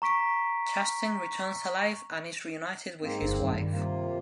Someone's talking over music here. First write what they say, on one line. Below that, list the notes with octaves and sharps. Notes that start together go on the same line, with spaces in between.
Chastain returns alive and is reunited with his wife.
A#5 C#6 B6 D7
G#2 A#3 C4
G1
G2 D#3
G3
C3 A#3 F4